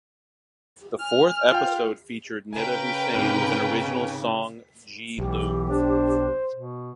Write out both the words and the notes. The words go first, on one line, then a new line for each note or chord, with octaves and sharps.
The fourth episode featured Nida Hussain with an original song Jee Loon.
G#5 F6
F4 G5
C#3 A#4 B4 G5 G#5
G#2 C3 F6
B1 E3 G4
D4 C5
B2